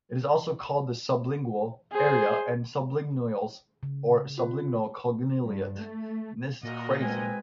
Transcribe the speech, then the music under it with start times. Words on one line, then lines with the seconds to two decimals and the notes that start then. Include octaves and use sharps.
It is also called the subgenual area, area subgenualis or subgenual cingulate.
1.92 G#4 C5
3.83 C#3
4.38 F4
5.46 G2
5.80 A3
6.63 A#2 F#4 A#4 D#5
7.01 G#3 C4 B4 G#5